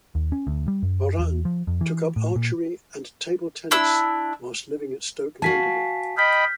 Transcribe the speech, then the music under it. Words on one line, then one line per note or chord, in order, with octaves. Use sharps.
Horan took up archery and table tennis while living at Stoke Mandeville.
D#2
C#4
D2
G3
F#2
E2
F3
F2
E3
A2
A#2
D4 E4 E6
F#4 F5 G#5 A5 B6 C7
D#5 G5 B5 F6 G6 B6